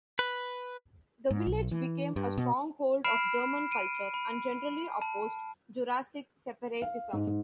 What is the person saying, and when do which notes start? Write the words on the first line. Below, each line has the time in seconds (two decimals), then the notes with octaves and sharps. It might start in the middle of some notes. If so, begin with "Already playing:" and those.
The village became a stronghold of German culture and generally opposed Jurassic separatism.
0.19 B4
1.31 G#2
1.47 B1
1.71 E3
2.16 G2
2.37 B2
3.04 B5 F6 C7 D7 E7
3.71 D7 D#7
4.14 B5
5.02 A5
6.82 F5
7.13 G#2
7.27 G#2